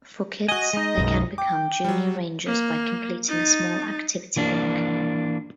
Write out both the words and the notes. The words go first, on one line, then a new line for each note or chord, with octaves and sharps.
For kids, they can become Junior Rangers by completing a small activity book.
F#4 D#5 G#5
G#3 D#4
B1 F#2
G5 D6
F#3 G3
A#3
D#4 A6
E3 A#3 D4